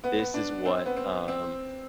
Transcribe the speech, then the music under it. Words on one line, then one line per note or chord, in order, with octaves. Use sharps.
"This is what" um,
B3
B3
D4
C4
B3
C4
C4